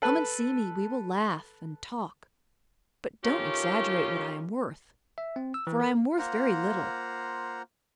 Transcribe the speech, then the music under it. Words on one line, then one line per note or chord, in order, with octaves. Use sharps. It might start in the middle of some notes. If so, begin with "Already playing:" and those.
Come and see me, we will laugh and talk, but don't exaggerate what I am worth, for I am worth very little.
A4 B4
D#3 A3 C#4 F4 G4
E5
C4
E6
E3
A#4
A#3 F4 C5 F#5 A#5